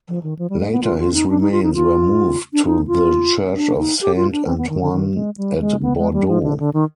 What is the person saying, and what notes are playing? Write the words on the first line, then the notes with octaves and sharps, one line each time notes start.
Later his remains were moved to the church of Saint Antoine at Bordeaux.
F3
D#3
F3
G3
G#3
B3
F4
F4
D#4
D4
D#4
F4
D#4
F4
D4
D#4
F4
D4
D#4
G4
F4
D4
C4
B3
D#3
D3
D#3
G#3
G3
G#3
B3
G#3
G3
F3
D3
D3
D#3